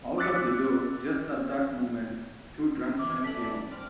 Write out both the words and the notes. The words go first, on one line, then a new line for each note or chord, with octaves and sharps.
Out of the door, just at that moment, two drunk men came out.
D6 E6 F#6 A6 B6 C#7
E3 D6
A4 D5 B6 F#7
C4 D5 F6